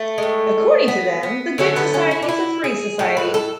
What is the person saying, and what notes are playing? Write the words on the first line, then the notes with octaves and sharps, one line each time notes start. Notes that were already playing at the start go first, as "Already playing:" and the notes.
According to them, the good society is a free society.
Already playing: A3
A2 G#3
B3
B3
D3 F#3 A3 C#4
B3
C#4
E4
D4
E4
G#4
A2 G#3
B4
A4